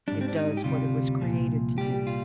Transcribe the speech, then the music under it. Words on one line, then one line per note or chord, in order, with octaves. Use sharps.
It does what it was created to do.
G#2 G3 D4
C4
D4
D#4
G4
D2 C3 G3 F4
C2 A#2 F3
C2 A#2 G3 G4
F4